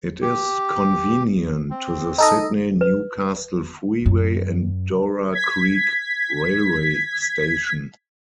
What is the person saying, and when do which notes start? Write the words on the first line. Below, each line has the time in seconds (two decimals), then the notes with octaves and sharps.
It is convenient to the Sydney-Newcastle Freeway and Dora Creek Railway Station.
0.22 G4
1.70 C4
2.18 D#4 A4 D#5
2.81 B4
4.06 F#2
5.32 G#6 B6